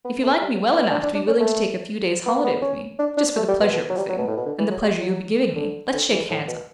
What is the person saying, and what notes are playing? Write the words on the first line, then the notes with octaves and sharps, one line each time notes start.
If you like me well enough to be willing to take a few days' holiday with me, just for the pleasure of the thing, and the pleasure you'll be giving me, let's shake hands on it.
B3
A3
G3
F#3
B3
D4
D4
D4
C#4
A3
B3
B3
C#4
D4
D4
A3
G3
B2
B2
F#3
G3
F#3
B2
A2
B2
D3
E3
F#3
G3
F#3
D3
D3
E3
A2
B2